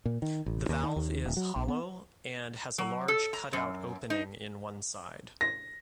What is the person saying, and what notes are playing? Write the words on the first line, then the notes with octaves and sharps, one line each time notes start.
The valve is hollow, and has a large cut-out opening in one side.
A#2
D#3
A1
D#2
D#3
D#2
D#1
F#3
A#1
B3
F#3
A4
A#5
F#2
D#4
A#6